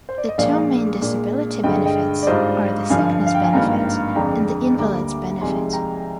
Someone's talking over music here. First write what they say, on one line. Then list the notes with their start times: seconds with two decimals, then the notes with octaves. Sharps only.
The two main disability benefits are the Sickness Benefit, and the Invalid's Benefit.
0.09 C5
0.18 D5
0.28 D#5
0.38 A#1 A#2 G#3 D4 D5 F5
1.01 A#2 G#3 D4
1.64 G2 D3 G#3 D#5 G5
1.85 D#5 G5
2.23 D5
2.27 G#2 G3 D4 F4 C5 D#5
2.90 G2 D3 F3 F5 G#5
3.26 F5
3.35 G5
3.44 G#5
3.53 G#1 G2 D#3 A#3 F4 G5 A#5
4.16 F2 D3 G#3 D4 G5 A#5
4.79 D2 D3 G3 A#3 A#5 D6
5.41 C2 C3 F3 G#3 D#4 G#5 C6
5.73 G5 A#5